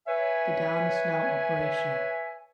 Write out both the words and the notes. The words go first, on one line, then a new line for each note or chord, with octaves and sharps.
The dam is now operational.
B4 C#5 E5 G#5